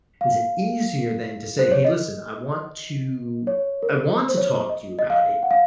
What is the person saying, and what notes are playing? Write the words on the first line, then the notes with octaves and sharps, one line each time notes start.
Is it easier than to say, "Hey, listen, I want to I want to talk to you about it,
F5
C5
C#5
D#5
C#5
A#4
C5
C5
C#5
C5
D#5
D#5
F5
F#5
F5